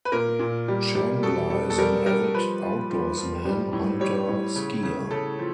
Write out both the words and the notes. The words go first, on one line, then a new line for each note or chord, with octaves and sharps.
Chandler is an avid outdoorsman, hunter, skier.
B4
A#2 A#4
A#2
G3
G3
B2 A4
G3 A4
A4
G3 A#4
G3 A#4
F3 B4
F3
F3
F3
G3
A2
G3 C#5
A2
C#3
C#3
C#3 A4
F3